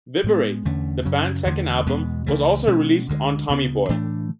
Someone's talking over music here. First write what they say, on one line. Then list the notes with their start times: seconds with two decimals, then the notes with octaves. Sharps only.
"Viberate", the band's second album, was also released on Tommy Boy.
0.24 A2 G#3 B3
0.65 E2 D3 A3 C#4
1.05 F#2 C#3 F#3 C#4
1.45 E2 D3 A3
1.87 E2 B2 G#3 B3
2.26 C#2 C#3 E3 A3
2.67 B2 G#3 C#4
3.08 D2 D3 G#3
3.48 D2 C#3 G#3 B3
3.89 A2 E3 A3 D4